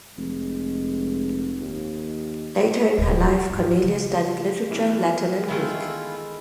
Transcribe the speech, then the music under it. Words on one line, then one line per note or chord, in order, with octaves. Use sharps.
Later in her life, Cornelia studied literature, Latin, and Greek.
F1 G#3
D#2
D1 C3
F3 C#4
G#1 E4
C#3
B2 E3 A#4
D#3 G#3 A3 E4 F4